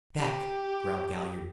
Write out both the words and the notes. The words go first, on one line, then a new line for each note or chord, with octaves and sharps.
"Back!" growled Galliard.
G4